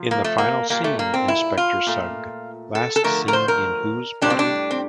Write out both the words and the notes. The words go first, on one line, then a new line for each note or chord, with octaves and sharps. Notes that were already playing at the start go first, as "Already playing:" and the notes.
In the final scene, Inspector Sugg, last seen in Whose Body?
Already playing: C3 F3
A#3
A3
A#3
A#2 G3 A#3
A3
A#3
C4
E4
F4
A#2 A3
A4
A4
D3 F3 A3 A#4
A#4
C5
A#4
A2 G3 D4
C4
D4
C4